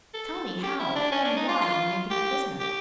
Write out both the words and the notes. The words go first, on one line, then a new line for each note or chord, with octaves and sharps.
"Tell me how and why am I again a prisoner?"
A4
G4
E4
D4
C#4
D4
D#4
F4
F4
G4
G4